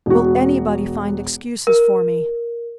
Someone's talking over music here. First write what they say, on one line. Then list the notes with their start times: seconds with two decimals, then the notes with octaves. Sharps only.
Will anybody find excuses for me?
0.06 E1 F#4
1.67 A#4